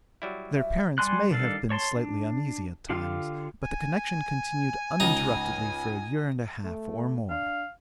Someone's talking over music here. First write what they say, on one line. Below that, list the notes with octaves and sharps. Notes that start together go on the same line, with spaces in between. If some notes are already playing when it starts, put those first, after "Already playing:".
Their parents may have been slightly uneasy at times, but the connection continued uninterruptedly for a year and a half or more.
F#3 G3 E4
E5
G3 D5 G#5 C6 F#6
D#3 G3 D4 A4 F5
C#5 A5 C6
D4
D3 F4 G4 F5 F6
G#5
C#2 D#4
A3
D4 F5